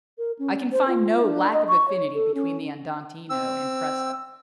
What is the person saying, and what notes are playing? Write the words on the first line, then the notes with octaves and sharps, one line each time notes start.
I can find "no lack of affinity" between the andantino and presto.
A#4
C#4
C5
F4
D4
D#5
C#6
C#5
A4
C#4
C4 E6